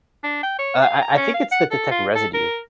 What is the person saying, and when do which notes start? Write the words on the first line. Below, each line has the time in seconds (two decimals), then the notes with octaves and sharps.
Uh, I I think it's to detect residue,
0.24 D4
0.43 G5
0.59 C#5
0.82 F5
1.02 A#5
1.17 C#4
1.34 F5
1.52 F#5
1.71 A4
1.91 F4
2.15 A4
2.34 A#4